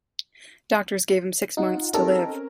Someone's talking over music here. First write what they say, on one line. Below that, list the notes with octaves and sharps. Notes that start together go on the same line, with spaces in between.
Doctors gave him six months to live.
D#4 F4 F#5
C4 C#4 D#4 G4 A4 A#4